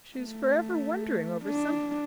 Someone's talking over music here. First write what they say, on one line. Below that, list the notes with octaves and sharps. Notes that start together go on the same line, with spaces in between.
She was forever wondering over something.
A3
D4